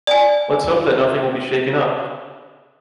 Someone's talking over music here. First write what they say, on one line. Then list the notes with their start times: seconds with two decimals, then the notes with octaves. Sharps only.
Let’s hope that nothing will be shaken up!
0.07 D5 G#5